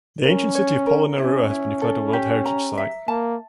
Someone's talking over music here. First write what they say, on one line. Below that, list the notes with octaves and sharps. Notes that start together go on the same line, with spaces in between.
The "Ancient City of Polonnaruwa" has been declared a World Heritage Site.
C#4 A#4
C#5
A#4
C#4 E4
E4
A4
G4
A#5
E5
A#3 A5